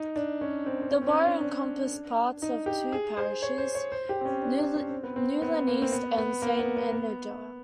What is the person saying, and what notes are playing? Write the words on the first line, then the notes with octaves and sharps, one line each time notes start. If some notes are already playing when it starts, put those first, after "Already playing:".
The borough encompassed parts of two parishes, Newlyn East and Saint Enoder.
Already playing: D#4
D4
C#4
C4
C4
C#4
C4
C#4
D4
D4
D#4
G4
G#4
C5
C#5
C5
C#5
C5
G4
C4
C#4
D4
D4
C#4
C4
B3
C4
B3
A#3
C4
B3
B3
A#3
B3
B3
B3